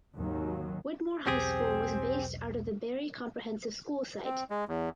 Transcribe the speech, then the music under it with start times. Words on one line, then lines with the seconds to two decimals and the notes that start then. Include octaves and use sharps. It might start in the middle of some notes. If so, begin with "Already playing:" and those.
Whitmore High School was based out of the Barry Comprehensive School site.
0.15 G#1 D#2 D#3 F#3
1.27 B1 E2 C4 G4 G#4 C5
4.25 C4
4.50 G#3
4.68 E2